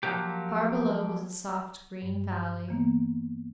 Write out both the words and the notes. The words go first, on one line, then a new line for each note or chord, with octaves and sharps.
Far below was a soft, green valley.
F3 F#3 A#3 G4
G2
E3 A#3 B3